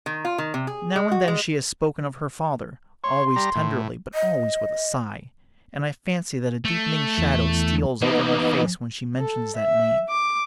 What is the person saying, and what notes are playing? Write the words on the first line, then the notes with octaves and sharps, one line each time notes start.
Now and then she has spoken of her father; always tenderly, but always with a sigh; and I fancy that a deepening shadow steals over her face when she mentions that name.
D#3
F4
D#3
C3
G#4
G#3
F#4
G#3
C#5 C6
G3 A#5
A2
D#5
A3
E2
E3 A#3 B3 D#4
A4
E5
D6